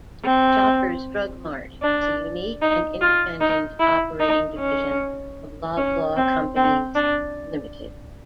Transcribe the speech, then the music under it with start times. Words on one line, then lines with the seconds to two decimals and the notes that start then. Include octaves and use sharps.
Shoppers Drug Mart is a unique and independent operating division of Loblaw Companies Limited.
0.24 C4
1.83 D4
2.62 D#4
3.01 F4
3.41 D#4
3.80 E4
4.20 D#4
4.59 C#4
5.77 C#4
6.17 C4
6.56 C4
6.95 D4